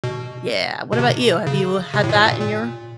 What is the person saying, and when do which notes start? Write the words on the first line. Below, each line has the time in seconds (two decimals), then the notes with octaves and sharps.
Yeah, what about you? Have you had that in your
0.04 B2
0.93 B2
0.99 C3
1.47 C#3
1.94 C3
2.04 A2
2.09 A#2
2.25 A#2
2.41 A#2